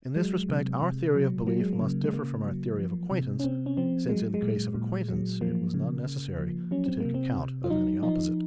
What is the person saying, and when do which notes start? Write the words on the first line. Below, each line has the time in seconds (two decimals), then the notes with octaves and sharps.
In this respect our theory of belief must differ from our theory of acquaintance, since in the case of acquaintance it was not necessary to take account of any opposite.
0.16 F#3 G#3
0.49 C3
0.82 C3
1.15 F#3
1.47 F#3 A#3
1.60 G#3
1.73 A#3
1.81 C#3
2.04 G#3
2.13 C#3 A#3
2.46 F#3
2.78 F3
3.11 C3
3.40 C#4
3.44 C3 C4
3.66 C#4
3.77 F3 C4
4.09 F#3 G#3
4.34 G#3
4.43 A#2
4.75 A#2
5.09 F#3
5.41 F3 A#3
5.74 C#3
6.06 C#3
6.39 F3
6.71 F#3 C#4
6.86 C4
7.00 C3 A#3
7.14 C4
7.38 C3
7.64 F4
7.70 F#3 D#4
8.03 F3 D#4